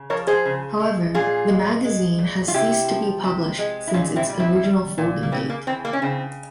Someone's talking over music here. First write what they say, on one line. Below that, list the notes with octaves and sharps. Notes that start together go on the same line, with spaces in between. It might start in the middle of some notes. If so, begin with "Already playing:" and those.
However, the magazine has ceased to be published since its original folding date.
Already playing: C#3
F3 A#4 C#5
G#4 C5
C#3
G#3
A#2 F4 G#4
G#3
G#3
A#2
F4
C3 E4 G4
F3
C3
G#3
E4
A#2 C#4 F4
C4 E4
G3
C4 E4
G3
A#2
A#3
C#3 C4
A#3
E3 C4
A#3
C#4
C#3 C4